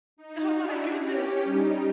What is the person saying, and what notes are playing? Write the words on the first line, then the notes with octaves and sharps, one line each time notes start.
oh my goodness.
D#4
D4 E4 F#4
C#4 G4
G3 D#4